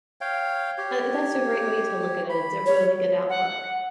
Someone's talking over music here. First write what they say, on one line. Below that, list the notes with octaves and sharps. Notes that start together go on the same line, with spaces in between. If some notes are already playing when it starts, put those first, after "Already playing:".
Uh, and that's a great way to look at it, it's a really good outlook.
C#5 F5 G5
G4 C#5
B5
C#5
F#5